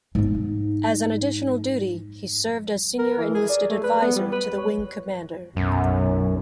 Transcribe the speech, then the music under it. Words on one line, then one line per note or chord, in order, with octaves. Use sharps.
As an additional duty, he served as senior enlisted adviser to the wing commander.
G#2 D#4
A#4
E3
G#4
D5
A3
B4
B3
G3
B4
C#5
B1 F#2